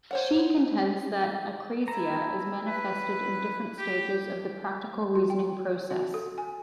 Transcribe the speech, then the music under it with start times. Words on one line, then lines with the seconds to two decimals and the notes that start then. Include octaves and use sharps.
She contends that akrasia is manifested in different stages of the practical reasoning process.
0.11 C5 C#5 F#5
1.88 E4 A5 A#5
2.67 B4
3.78 G4
5.15 F#4
5.30 G5
5.90 F#4
6.14 A4
6.38 G#5